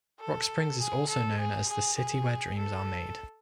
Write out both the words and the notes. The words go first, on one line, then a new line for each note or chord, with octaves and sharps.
Rock Springs is also known as the "City Where Dreams are Made".
A4
G#4
A4
G#4
G#4
G#4
A4